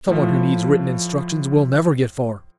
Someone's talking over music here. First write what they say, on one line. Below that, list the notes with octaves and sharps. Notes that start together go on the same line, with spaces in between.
Someone who needs written instructions will never get far.
A2 F3